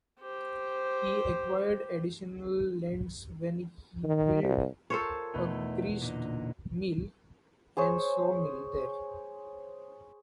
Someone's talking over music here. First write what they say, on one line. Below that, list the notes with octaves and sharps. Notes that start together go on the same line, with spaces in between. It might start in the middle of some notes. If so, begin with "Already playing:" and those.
He acquired additional lands when he built a grist mill and sawmill there.
G4 C5
D#3
C2
F4 A4 A#4 C5 C#5 G#5
E2 B2 A3 B3 D#4
A#2 D3 D#4
G#4 C5 C#5